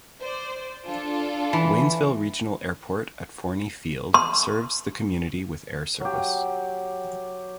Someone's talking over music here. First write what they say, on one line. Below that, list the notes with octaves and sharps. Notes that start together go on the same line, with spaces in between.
Waynesville Regional Airport at Forney Field serves the community with air service.
C5 D5
D4 F4 A4
E3
C6
F#3 G4